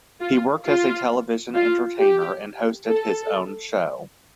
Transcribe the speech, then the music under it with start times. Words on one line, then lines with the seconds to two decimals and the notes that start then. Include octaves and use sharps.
He worked as a television entertainer and hosted his own show.
0.21 F4
0.66 F4
1.54 F4
1.98 G4
2.87 A4